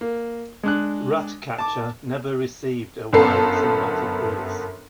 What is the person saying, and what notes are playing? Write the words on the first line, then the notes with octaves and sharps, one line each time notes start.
"Ratcatcher" never received a wide cinematic release.
A#3
G#3 D4 F#6
A5 D6
G1 F#2 B3 A4 C7